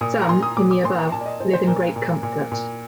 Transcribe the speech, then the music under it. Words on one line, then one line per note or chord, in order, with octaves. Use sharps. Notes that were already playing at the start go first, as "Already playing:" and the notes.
Some - in the Above - live in great comfort.
A#2 D#6
A#5
A#2 C6
D#6
A#2 D6
D6
A#2 C6
A#5
A#2 A5
D5
D#5
A#2 C5
C5
A#2 A#4
A#2
A#2
A#2